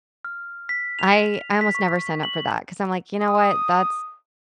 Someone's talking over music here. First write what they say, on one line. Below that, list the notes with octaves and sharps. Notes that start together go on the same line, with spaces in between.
I I almost never sign up for that 'cause I'm, like, you know what? That's
F6
B6
F7
B6
C#6
F#7
D#6